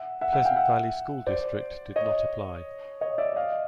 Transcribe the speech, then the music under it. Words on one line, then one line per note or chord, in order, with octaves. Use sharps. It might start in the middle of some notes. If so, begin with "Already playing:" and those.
Pleasant Valley School District did not apply.
Already playing: E5 F#5
E5 F#5
E5 F#5
F5 G5
E5 F#5
C5 D5
C#5 D#5
C#5 D#5
D5 E5
D#5 F5